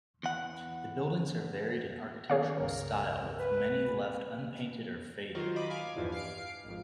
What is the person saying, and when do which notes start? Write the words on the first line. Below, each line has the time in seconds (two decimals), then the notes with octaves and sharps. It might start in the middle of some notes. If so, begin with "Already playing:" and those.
The buildings are varied in architectural style with many left unpainted or faded.
0.23 E2 F#5
2.30 F#2 D#3 B3 G#4 C#5 F5
2.60 G1 C#2 A#4
3.40 B4
5.35 D#3 F#3 F4 A#4 C5
5.56 D#5 B5 D6
5.70 F5 G#5 D6
5.96 A#1 E2 G2 E3 F3 G3
6.12 F5 C7 D7
6.65 G#1 F2